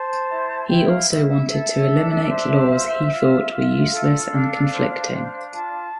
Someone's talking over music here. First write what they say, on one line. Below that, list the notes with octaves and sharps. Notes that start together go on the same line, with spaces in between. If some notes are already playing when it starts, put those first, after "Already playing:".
He also wanted to eliminate laws he thought were useless and conflicting.
Already playing: C5 A5
E4
E4 G5
F5
E4 E5
E5
A4 E5
D4
C5
F4
F4
F4
A4 F5
D4
C5
D4
F4 A5